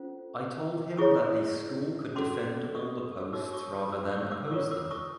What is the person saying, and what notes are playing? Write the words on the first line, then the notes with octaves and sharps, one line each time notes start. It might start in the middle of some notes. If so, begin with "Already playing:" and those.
I told him that the school could defend all the posts rather than oppose them.
Already playing: C#4 F4 A4 C5
E4 G#4 C#5 C#6 D#6
C#4 F#4 A4 C6 D6
C#6 D#6
D#4 F#4 A#4 C#5 D6 E6
C#6 D#6
C#6 D#6
D6 E6
C#6 D#6
D6 E6
E6
F4 A#4 C#5 C#6 D#6
D6 E6
C#6 D#6